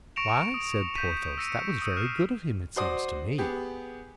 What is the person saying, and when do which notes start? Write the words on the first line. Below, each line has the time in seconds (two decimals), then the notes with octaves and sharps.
"Why," said Porthos, "that was very good of him, it seems to me."
0.16 C#6 A#6 C#7 D7 E7 F7
0.54 D#6
0.94 G6 A#6 B6 D#7 E7
1.38 E6 A#6 C#7 D#7
1.82 D#6 E6 C#7
1.97 F6 C7 E7
2.76 F#4 C5 D5 D#6
3.38 B3 G4 G#4